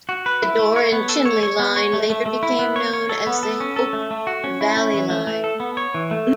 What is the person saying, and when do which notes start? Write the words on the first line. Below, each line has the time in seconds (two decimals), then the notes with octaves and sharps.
The Dore and Chinley line later became known as the Hope Valley Line.
0.09 F#4
0.26 B4
0.42 E4
0.59 A3
0.76 C#5
0.92 B3
1.09 A4
1.26 C#5
1.43 C#5
1.59 B3
1.76 C#5
1.93 A3
2.10 A3
2.26 A3
2.43 E4
2.59 B3
2.76 C#5
2.93 C#5
3.09 A4
3.27 B3
3.43 A4
3.60 C#4
3.76 A4
3.93 A3
4.11 A3
4.27 F#4
4.44 C#4
4.61 E4
4.77 C#4
4.94 E3
5.10 A3
5.27 A3
5.44 A4
5.60 B3
5.77 C#5
5.94 E3
6.11 A3